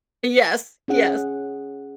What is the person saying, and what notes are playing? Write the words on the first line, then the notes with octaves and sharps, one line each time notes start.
Yes. Yes.
C#4 G#4 F#5